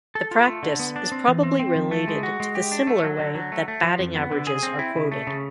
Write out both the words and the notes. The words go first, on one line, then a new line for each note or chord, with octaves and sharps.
The practice is probably related to the similar way that batting averages are quoted.
A4
F4
A3
D3
B3
D4
C4
E3
C4
C4
F3
A3
G#3
F#4
G#3
G4
D4
A3
F#3
D3
F#3
A3
A3
F3
F2
B3
D3
G#4
C4
E4
C#3
A3
C#3